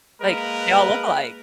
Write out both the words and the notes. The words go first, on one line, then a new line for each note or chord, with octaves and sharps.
Like, they all look alike.
G#3 A#3 A#4 B4